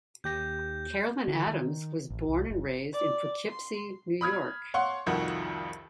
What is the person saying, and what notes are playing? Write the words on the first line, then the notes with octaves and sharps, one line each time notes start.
Carolyn Adams was born and raised in Poughkeepsie, New York.
D#2 G4 G6 A#6
D3
D#3
A1
C2
F#1
D5
C6
B5 D#6 F6 G#6
C#5 F5 F#5 C6 C#6
C2 F2 D#3 F3 F#4